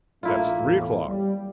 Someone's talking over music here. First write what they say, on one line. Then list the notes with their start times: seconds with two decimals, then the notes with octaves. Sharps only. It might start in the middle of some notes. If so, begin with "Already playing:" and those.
That's three o'clock.
0.23 A#1 G#2 A3 A#3 E4 F4
0.61 E2 A2
1.07 G3